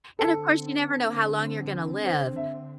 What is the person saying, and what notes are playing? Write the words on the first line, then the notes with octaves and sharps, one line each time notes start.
And, of course, you never know how long you're gonna live,
D3 C4 A4
C5
E5